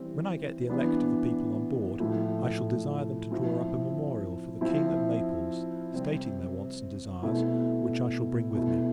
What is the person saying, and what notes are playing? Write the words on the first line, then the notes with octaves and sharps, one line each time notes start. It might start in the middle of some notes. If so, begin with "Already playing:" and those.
When I get the elect of the people on board, I shall desire them to draw up a memorial for the King of Naples, stating their wants and desires, which I shall bring with me.
Already playing: E3 G3 C4
E3 B3 D4
A2 F3 A3 E4
F3 C4 E4
F3 C4 E4
C3 G3 C4
B2 A3 E4
B2 A3 E4